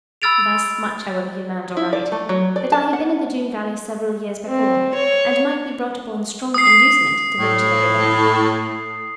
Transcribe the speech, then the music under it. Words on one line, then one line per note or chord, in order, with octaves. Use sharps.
Thus much however, he learned aright, that I had been in the Doone valley several years before, and might be brought upon strong inducement to venture there again.
B5 E6 F6 A6 D7 F7
E4
D5
A3
F#3
D5
A5
F#5
C4
C#5
D#6 C7
A2